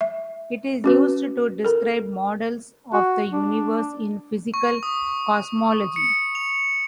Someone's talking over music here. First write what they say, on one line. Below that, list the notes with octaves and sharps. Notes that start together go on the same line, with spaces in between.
It is used to describe models of the universe in physical cosmology.
E5
C#4 F#4 B4
A4 A#4
F#4
D4
C#6
D#6
C#7
F7